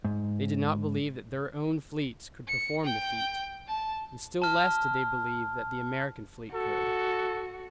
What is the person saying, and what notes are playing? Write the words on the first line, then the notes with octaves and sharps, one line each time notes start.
They did not believe that their own fleets could perform the feat, and still less did they believe that the American fleet could.
G#2
C#7
G5
A5
A5 F6
F#4 A4